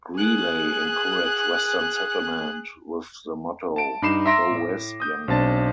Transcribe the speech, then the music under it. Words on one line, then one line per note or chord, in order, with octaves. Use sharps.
Greeley encouraged western settlement with the motto "Go West, young man".
G#4 F#6
A5 D7
G2 D#4 B5 D6 C7 E7
E5 A#5 C6 A#6 B6 D7
A2
D#6 G6
B1 C4 D4 A5 A6